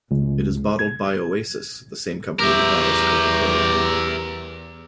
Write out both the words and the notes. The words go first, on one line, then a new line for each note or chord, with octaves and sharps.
It is bottled by Oasis, the same company that bottles Coca-Cola.
C#2
G#6
E2 G4 A#4 E5